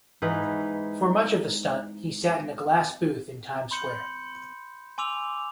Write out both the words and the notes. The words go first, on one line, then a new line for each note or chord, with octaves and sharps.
For much of the stunt, he sat in a glass booth in Times Square.
G#2 E3 D#4 B4
B5 C6 G6 C#7
G#5 C6 D6 E6 F7